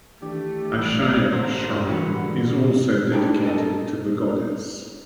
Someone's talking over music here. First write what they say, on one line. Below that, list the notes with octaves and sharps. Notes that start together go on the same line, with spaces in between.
Ashiya Shrine is also dedicated to the goddess.
D#3 E3 A3 D4 G4
A1 G3
A1 D3 C4 A#4 C5 A#6
G2
E3 C#4 E4 F#4 G4 B4
G#2 D3 E3
D4 D#4 G4
A4 A#4 D#5 A5